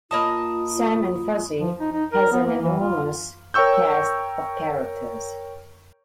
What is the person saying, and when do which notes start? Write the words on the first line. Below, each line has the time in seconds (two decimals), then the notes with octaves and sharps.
"Sam and Fuzzy" has an enormous cast of characters.
0.11 A#3 F4 D#5 A5 B5 D#6
1.60 F3
1.80 D#4
1.93 D#4
2.12 A#4
2.33 B3
2.46 A#3
2.62 E3
2.80 F4
3.54 A#4 C#5 G5 C#6 E6 G6